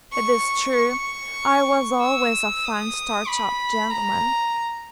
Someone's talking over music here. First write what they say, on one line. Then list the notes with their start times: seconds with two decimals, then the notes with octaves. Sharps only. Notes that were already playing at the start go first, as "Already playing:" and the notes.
It is true, I was always a fine starched-up gentleman!
0.12 C#6
0.76 C#6
2.01 E6
2.65 D#6
3.28 B5
3.91 A#5